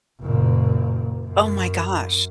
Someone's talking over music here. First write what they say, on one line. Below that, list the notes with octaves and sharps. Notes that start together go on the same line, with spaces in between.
Oh my gosh.
F#1 A#2
F#2